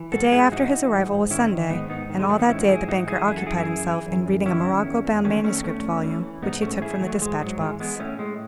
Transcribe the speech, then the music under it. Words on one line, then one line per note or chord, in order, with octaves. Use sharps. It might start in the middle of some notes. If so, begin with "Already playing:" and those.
The day after his arrival was Sunday, and all that day the banker occupied himself in reading a morocco-bound manuscript volume, which he took from the despatch-box.
Already playing: E3
G#2 F#4 A4
G#2 E4 G#4
E3 D#4 F#4
E3
G#2
G#2
D#3 C#4 E4
D#3
G#2 B3 D#4
G#2 B3 D#4
D#3
G#3
D#3 F#3 A3
B3 D#4
G#2 C#4 E4
F#4
G#2 E4 G#4
E3 D#4 F#4
E3 E4 G#4
F#2 E4 G#4
F#4 A4
F#2 E4 G#4
E4 G#4
E3
E3
F#2
F#2
D#3 C#4 E4
D#3
E2
E2
D#3 A3 C#4
D#3 A3 C#4
E2 A3 C#4
E2
E3
E3
G#2 B3 D#4
G#2 A3 C#4
E3 E4 G#4
E3 F#3 A3
G#2 G#3
G#2 F#3
E3 G#3
E3 G#3 B3
A2 A3 C#4
A2 G#3